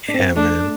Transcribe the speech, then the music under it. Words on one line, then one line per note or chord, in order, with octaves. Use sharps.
Yeah, man.
D4
C4
A3 D4